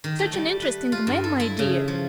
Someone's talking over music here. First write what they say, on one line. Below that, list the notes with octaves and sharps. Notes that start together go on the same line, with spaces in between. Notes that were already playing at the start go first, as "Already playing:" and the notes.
Such an interesting man, my dear.
D#3
A3
G3
B4
F4
G2
A4
E4
C#3
F3